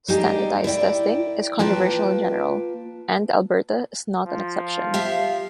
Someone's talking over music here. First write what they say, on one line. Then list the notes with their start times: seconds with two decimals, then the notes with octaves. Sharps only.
Standardized testing is controversial in general, and Alberta is not an exception.
0.08 G3 A#3 D#4 G4 G#4
0.64 E4 A#4 D5 G5
1.59 A#3 F4 B4 G5 A5
4.26 F3
4.94 G4 E5 F5